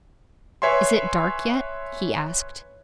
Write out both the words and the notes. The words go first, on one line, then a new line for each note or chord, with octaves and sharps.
'Is it dark yet?' he asked.
B4 C#5 E5 G#5 C6